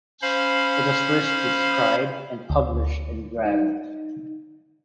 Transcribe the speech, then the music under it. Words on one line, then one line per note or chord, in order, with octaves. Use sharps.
It was first described and published in Rev.
C#4 C5 F5 B5
D2
D#4